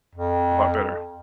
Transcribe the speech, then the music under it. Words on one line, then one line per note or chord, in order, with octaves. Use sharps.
a lot better.
F2